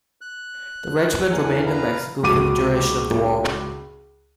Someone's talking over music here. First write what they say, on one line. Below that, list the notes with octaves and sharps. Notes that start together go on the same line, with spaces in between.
The regiment remained in Mexico for the duration of the war.
F#6
E2 A#4 F#5 G#5
B4 F5 A#5
C#2 F#4 D6 D#7